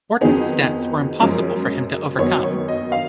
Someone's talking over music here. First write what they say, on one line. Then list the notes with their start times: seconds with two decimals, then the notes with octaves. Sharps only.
Wharton's debts were impossible for him to overcome.
0.21 F2 D#3 F#3 B3 D#4 G#4
1.19 F#2 F3 G#3 C#4 A#4
2.19 F#2 D#3 F#3 B3 C#5
2.43 C#5
2.68 D#5
2.92 F5